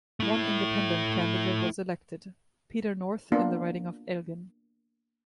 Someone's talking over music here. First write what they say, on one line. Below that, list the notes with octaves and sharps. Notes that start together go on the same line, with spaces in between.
One independent candidate was elected: Peter North in the riding of Elgin.
A3 E4
A#3 B3 D4 F4